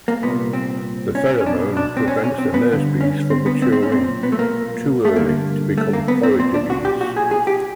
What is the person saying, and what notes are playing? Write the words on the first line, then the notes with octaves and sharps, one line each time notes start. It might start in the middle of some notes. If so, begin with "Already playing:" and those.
The pheromone prevents the nurse bees from maturing too early to become forager bees.
A#3
C2 A#2 B3
C4
C#4
C#4
B1 B2 D4
D4
C4
C#4
C#4
C4
B3
G2 D3
C#4
C4
B3
C4
C4
C#4
B1 A#2 C4
B3
A3
A#3
A3
G2 D3 A#3
A3
A#3
B3
C4
B1 A#2 C4
D4
F#4
G4
F#4
G#4
G#4
G4